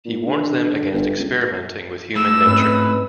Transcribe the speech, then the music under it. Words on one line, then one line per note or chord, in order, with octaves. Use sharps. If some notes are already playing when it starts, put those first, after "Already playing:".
He warns them against experimenting with human nature.
A#2
D3
D3
G1
C#2
A2 E6
G#2 C4 C#4 B4